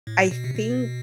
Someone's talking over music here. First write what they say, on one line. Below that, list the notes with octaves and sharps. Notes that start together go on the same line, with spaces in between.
I think
A2
B2
C3
B2